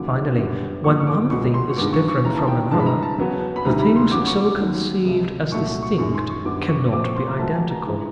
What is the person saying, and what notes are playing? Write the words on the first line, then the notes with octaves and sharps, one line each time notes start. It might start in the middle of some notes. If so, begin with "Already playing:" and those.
Finally, when one thing is different from another, the things so conceived as distinct cannot be identical.
Already playing: D#2 C#3 F#3 D6
F#2 D3 G3 B3
G#2 F3 A#3 C#6
C#6
D6
C#2 B2 F#3 B3 C#6
C6
C#6
G2 D#3 G#3 B3 D6
C#6
C#6
D#2 C#3 E3 A#5
A5
G5
G2 E3 G#3 A5
B5
A#5
A5
E2 C#3 F#3 B3
B5
D2 C3 D#3 G3 A#5
B5
C6
E2 C#3 F#3 D6
C#6
D#2 D#3 F#3
C#2 C3 F3
C2 A#2 F#3 A3 C#6
C#6
C#6
F#2 D#3 G#3 C#6
C6
C#6
F#2 D3 G3 B3 D6
C#6
A#2 F3 A3 C4 D6
C#6
C6
A#5
C#2 C#3 F#3 A3 A5
A5
G#5
A#5
G2 E3 G#3